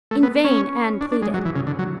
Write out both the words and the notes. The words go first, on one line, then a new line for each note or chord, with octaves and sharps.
In vain Anne pleaded.
A3
B3
C#4
D4
D4
G#3
F#3
E3
C#3
D3
F#3